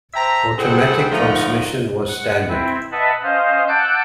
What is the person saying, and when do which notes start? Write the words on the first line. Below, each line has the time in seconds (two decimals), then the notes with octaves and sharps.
Automatic transmission was standard.
0.14 C5 E5 G5 A5 A#5
0.58 G3 C4 G#4 A4 F#5 G5
1.12 D3 F3 A3 D#4 F#5 A#5
2.08 F#5
2.49 C4 E4
2.92 B4 D#5 E5 F#5 A5 B5
3.23 C#4 C5 D#5 F5
3.68 F#5 A5 D6 E6 F#6 G6